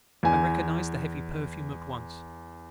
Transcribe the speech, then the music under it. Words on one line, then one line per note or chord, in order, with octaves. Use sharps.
I recognized the heavy perfume at once.
E2 G#5